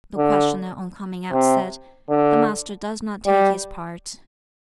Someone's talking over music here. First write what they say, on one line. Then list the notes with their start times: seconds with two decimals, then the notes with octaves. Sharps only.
The questioner on coming out said, "The Master does not take his part."
0.17 D3
1.33 C3
2.09 D3
3.26 G3